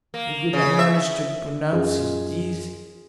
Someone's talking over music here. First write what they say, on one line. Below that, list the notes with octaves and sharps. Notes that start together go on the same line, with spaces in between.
He could not manage to pronounce his Ds.
A#3
C#3
E5
F#2 F4 G#4 D#5